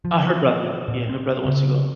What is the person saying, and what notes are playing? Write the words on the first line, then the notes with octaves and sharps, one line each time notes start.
Ah, her brother. Yeah, her brother wants to go.
F3
A#2
C4
C#3